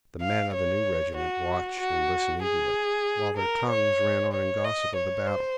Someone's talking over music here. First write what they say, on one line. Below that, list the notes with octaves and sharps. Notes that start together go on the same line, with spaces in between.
The men of the new regiment watched and listened eagerly, while their tongues ran on in gossip of the battle.
F5
C#5
F#4
F#4
G#4
A#4
C#5
C#5
D#5
C#5
C5